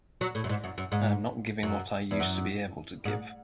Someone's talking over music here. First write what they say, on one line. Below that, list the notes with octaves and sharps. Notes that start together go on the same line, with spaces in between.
I am not giving what I used to be able to give.
F#3
A2
F#2
G#2
F#2
F#2
G#2
F#2
E2
F#2
G#2